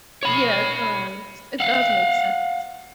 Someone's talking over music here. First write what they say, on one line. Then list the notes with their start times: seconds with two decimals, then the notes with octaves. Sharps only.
Yeah, it does. It does make sense.
0.23 C#5 B5
1.60 F5 F#5